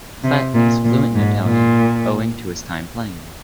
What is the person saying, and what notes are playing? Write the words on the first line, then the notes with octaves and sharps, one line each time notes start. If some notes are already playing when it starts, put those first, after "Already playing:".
Platt is fluent in Italian owing to his time playing there.
C3
A#2
A#2
G#2
A#2